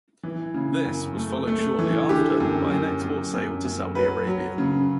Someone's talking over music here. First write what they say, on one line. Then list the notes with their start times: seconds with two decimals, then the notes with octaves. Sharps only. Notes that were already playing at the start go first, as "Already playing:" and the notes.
This was followed shortly after by an export sale to Saudi Arabia.
0.23 E3
0.54 C#3
0.85 F#2
1.17 A3
1.47 A3
1.79 E3
2.09 D3 G4
2.40 F#2
2.71 F#2
3.02 F#2
3.34 F#2
3.65 F#2
3.95 F#3 B4
4.27 F#3
4.58 C#3